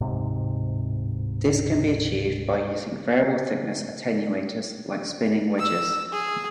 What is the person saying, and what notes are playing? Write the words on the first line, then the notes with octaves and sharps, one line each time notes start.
This can be achieved by using variable thickness attenuators like spinning wedges.
D1 G#2 C3
E6
G#4